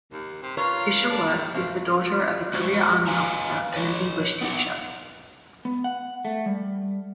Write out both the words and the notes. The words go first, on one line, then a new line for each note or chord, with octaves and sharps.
Fisher-Wirth is the daughter of a career Army officer and an English teacher.
D#2
C3
F4 A#4 B4 C#5
D4
D#3
A3 C4 F4
G#3 F#4 C5
B4 F5 G#5 A#5
B4 C#5
B3 D#4 F#5
B3
F#5
A3
G3